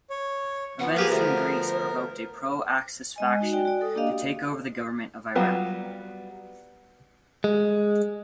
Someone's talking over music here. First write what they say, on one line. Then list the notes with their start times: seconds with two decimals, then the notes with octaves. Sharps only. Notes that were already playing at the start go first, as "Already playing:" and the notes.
Events in Greece provoked a pro-Axis faction to take over the government of Iraq.
0.10 C#5
0.80 F3 B3 F#5
0.96 A#3 G4 G#4 A#4 B4
1.12 D2 C5
3.16 G#3 D#5 G#5
3.40 D#4 F#4
3.53 F#4 D5 G5 G#5
3.65 F#4 D5
3.81 A4 D#6
3.95 A#3 D4 F#4 G4 D#5 F5
5.35 F#3 G3 B3 F4
7.44 G#3